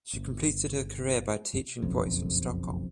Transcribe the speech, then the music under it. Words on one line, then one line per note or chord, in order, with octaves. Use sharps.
She completed her career by teaching voice in Stockholm.
G1
F#1 B1 F2